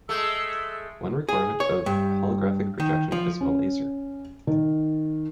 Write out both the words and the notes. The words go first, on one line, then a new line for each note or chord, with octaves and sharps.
One requirement of holographic projection is a laser.
G#3 A3 E6
G#4
C#5
G2
D#3
F3
C#4
D#3